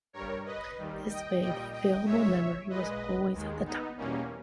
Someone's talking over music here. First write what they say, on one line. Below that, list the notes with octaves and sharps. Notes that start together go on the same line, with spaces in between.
This way the available memory was always at the "top".
G2 G3 A#4 C#5
B4 D#5
D#2 D#3 G3
D#5 G5
A#2 G3 D#5 G5
D#5 G5
A#2 G#3 C#5 E5
A#2 G#3 B4 D#5
D#2 D#3 G#3
B3 D#4
E2 B2 G3 A#3 C#4